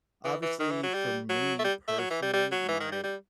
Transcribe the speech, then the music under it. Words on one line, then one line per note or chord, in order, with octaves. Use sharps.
Obviously, for me, personally, my
E3
E3
D#3
E3
F#3
G3
F#3
A3
G3
A3
F#3
E3
G3
G3
F#3
E3
D#3
G3
G3